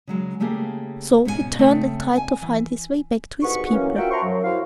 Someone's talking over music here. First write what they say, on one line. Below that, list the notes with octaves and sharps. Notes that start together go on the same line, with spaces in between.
So he turned and tried to find his way back to his people.
C#3 F#3 G#3
C#3 A3 A#3 G4 G#4
G#2 B2 G#3 C#4 G4 G#5
C#3 A3 C4
G#5
E3
C2 G#2 F#4 G#4 B4 C#6
E3 F#3 A#3 C#4
F4 F#4 A#4 E5 F#5 G5
C5 E5 A5 A#5 C6 C#6
F#2 F#3
E4 F#4 C5 F5